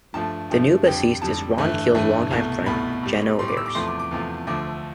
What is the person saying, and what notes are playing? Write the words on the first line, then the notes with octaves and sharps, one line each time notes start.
The new bassist is Ron Keel's longtime friend, Geno Arce.
G2 F3 A3 A5
G2 F3 A3
F2 D3 G3 G5
F2 D3 G3 A5
G2 E3 A3
G2 E3 A3
C2 B2 A3
C2 B2 A3 B5
A2 G3
A2 G3 C6
D6
E6
D6
E2 C3 F3 A3 C6
D6
D6
E2 C3 F3 A3
D2 D3 F3 A3 D6